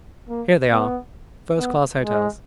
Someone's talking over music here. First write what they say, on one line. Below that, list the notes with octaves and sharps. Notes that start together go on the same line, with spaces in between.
Here they are--first-class hotels.
A#3
B3
B3
G#3